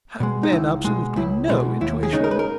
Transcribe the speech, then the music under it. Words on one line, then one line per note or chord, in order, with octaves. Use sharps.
Have men absolutely NO intuition?
B2 G#3
D#4
C#2 E4
B2 G#3
C#2 E4
B2 G#3 E4
D#2 E4
G#4
C#3 G#3 D#4
A#4
B4
A#4